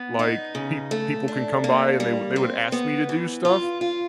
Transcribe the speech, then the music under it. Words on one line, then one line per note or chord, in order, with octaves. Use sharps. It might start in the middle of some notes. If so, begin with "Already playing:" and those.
Like, pe people can come by and they wou they would ask me to do stuff,
Already playing: B3
D#4
C#3
A3
D4
A#3
G3
C4
B3
E3
F4
F4